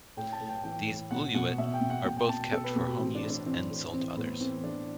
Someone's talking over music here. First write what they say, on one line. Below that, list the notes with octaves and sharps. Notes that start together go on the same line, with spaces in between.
These uluit are both kept for home use and sold to others.
A2 G5
A5
A2
G5
E3 G5
A2
B2 F#5
B2 F#5
B2 E5
G5
B2
F#5
B2 G5
G5
B2 A5
G5
B2 A4
B4
B2 G4
F#4
E3 C4
D4
A2
D4
E3 C4
A2
E3 C4
A2 B3
E3 C4
E3 D4